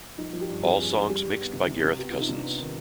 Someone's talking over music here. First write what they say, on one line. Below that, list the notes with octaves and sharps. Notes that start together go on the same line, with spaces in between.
All songs mixed by Gareth Cousins.
F3 D#4
F3
G4
G2
C4 G4
G2 G#4
G2 G#4
G3 G4
G3
B3
C3
C3
C3
B3 G4
C3 F4
D#4
C3 D4
B3
D#3